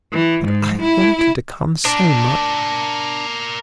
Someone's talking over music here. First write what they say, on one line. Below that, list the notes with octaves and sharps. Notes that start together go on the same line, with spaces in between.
But I wanted to come so much.
E3
G#2
E4
D4 A#4 D5